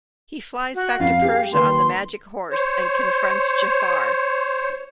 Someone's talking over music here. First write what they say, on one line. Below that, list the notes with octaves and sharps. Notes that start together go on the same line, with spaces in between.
He flies back to Persia on the magic horse and confronts Jaffar.
F#4
F2 F5
G4 G#4
D#2 B4 C6
C5 C#5